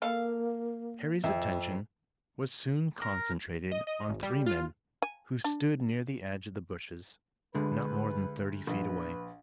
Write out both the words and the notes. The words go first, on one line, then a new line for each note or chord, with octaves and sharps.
Harry's attention was soon concentrated on three men who stood near the edge of the bushes, not more than thirty feet away.
A#3 A4 F5
F2 E5
A#4
D#5
D#5
G#1
G3
F4
G#5
D4
D2 D3 G#3 B4
A#1 B4